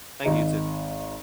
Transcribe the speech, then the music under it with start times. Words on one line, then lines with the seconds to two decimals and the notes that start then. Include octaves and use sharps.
Thank you. You too.
0.24 G#1 D#4 A#5